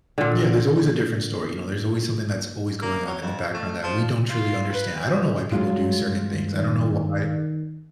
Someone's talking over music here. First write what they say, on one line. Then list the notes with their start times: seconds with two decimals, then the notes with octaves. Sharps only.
Yeah, there's always a different story, you know, there's always something that's always going on in the background that we don't truly understand. I don't know why people do certain things, I don't know why
0.18 A#2 D3
2.82 A#3
3.07 F#3
3.22 F2
3.54 A3
3.83 F3
4.29 F4
4.72 B4
5.52 G2 F#3 G#3 F4
6.53 D#3